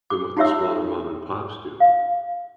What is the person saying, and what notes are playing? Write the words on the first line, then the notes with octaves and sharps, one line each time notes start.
than what the smaller mom-and-pops do.
D6
D#4 F4 G4 C#5 E5 E6
F5